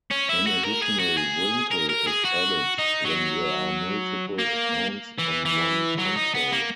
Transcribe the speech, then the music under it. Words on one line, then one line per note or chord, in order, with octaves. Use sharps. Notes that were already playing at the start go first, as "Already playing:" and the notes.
An additional wrinkle is added when there are multiple accounts on one console.
C#4
E4
F#4
A#4
G#4
F#4
G#4
A#4
A#4
G#4
F#4
D#4
F#3
A#3
E3
E3
F#3
D#4
B3
A#3